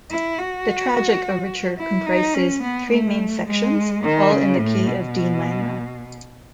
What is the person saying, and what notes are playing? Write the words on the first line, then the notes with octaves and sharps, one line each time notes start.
The "Tragic Overture" comprises three main sections, all in the key of D minor.
E4
F#4
E4
D#4
C#4
B3
A3
G#3
D#3
C#3
A2
B2